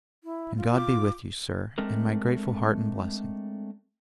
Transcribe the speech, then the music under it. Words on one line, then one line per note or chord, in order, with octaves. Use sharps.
And God be with you, sir, and my grateful heart and blessing!'
E4
F4
D6
G#3 A3 C4 D4 A#4